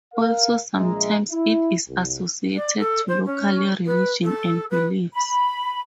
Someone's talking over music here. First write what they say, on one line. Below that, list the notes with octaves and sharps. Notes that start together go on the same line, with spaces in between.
Also, sometimes it is associated to local religion and beliefs.
A#4 F5
A#1 G#3 E5 A#5
E4
C2
D5
A4
C5
C#4
B4
A4
B4
B5